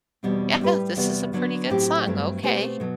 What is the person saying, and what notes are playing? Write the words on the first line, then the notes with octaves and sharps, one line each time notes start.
yeah, this is a pretty good song. Okay,
E2 B2 G3 C4
A2 G3 D4 G4 B4
E2 C3 G3 B3 F#4
D3 F#3 B3
A2 F#3 A3 C4 G4
G2 F#3 A3 C4
B2 A3 C4 G4 C5
B2 F#3